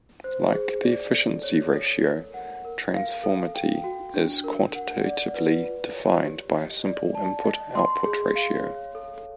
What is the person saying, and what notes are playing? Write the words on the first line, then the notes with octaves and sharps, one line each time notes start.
Like the efficiency ratio, transformity is quantitatively defined by a simple input-output ratio.
C5
G#4
D5
A4
C#5
A4
A#4
F#5
A#4
F5
A4
G5
F#4
D4
A#4
F#5
D5
B4
F4
C#5
G4
D#5
D5
A5
D#5
C6
G#4
F5
C#5
A4